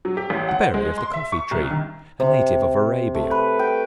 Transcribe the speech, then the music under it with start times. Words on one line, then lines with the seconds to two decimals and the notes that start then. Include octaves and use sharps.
The berry of the coffee-tree, a native of Arabia.
0.05 F#3
0.17 G4
0.30 A1
0.49 F#5
0.61 C5
0.74 G#3
0.98 C6
1.14 E5
1.32 C#6
1.51 C2
1.71 D#3
2.20 C3
3.15 A3
3.31 B4
3.59 G5